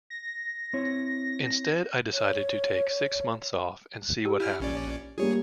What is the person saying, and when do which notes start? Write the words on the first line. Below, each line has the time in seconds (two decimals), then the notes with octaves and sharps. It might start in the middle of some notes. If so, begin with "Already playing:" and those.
Instead I decided to take six months off and see what happened.
0.10 A#6
0.73 C4 E4 C#5
2.13 C#5
4.25 G4
4.40 E4 F6
4.60 A#1 C#4 D5
5.18 G3 A#3 G#4 C#5